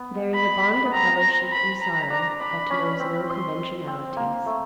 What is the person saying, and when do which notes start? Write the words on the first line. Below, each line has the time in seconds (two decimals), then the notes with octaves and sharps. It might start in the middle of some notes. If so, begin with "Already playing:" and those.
There is a bond of fellowship in sorrow that knows no conventionalities.
Already playing: B3
0.34 B5
0.85 B3
0.93 C4 A#5
1.52 B5
1.82 A#5
2.10 D4 A#5
2.40 D4 B5
2.70 C#4
3.00 C4
3.29 C6
3.87 C4
4.17 A#3
4.46 A3